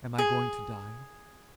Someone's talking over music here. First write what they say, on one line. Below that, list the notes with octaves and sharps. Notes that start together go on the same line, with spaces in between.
Am I going to die?
G#4